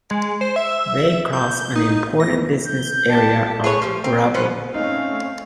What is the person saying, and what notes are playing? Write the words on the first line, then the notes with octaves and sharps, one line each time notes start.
They cross an important business area of Gurabo.
G#3
C5
E5
G6
D#4
A#6
G6
G4 A5
G#4 B4 C#5
F3 G3 C4
C4
B3 C#4 B4 C5
A3 C4 C#4 D#4 F5